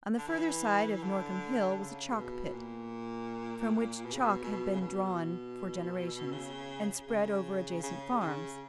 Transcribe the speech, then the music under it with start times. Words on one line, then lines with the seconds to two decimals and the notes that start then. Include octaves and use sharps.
On the further side of Norcombe Hill was a chalk-pit, from which chalk had been drawn for generations, and spread over adjacent farms.
0.18 D3
0.27 E3
1.03 D3
1.79 C#3
2.12 A#2
2.16 B2
2.54 A#2
4.05 B2
4.13 C#3
4.20 B2
4.43 B2
4.73 C#3
4.81 B2
6.32 C#3
7.08 C#3
7.83 C#3
8.20 C#3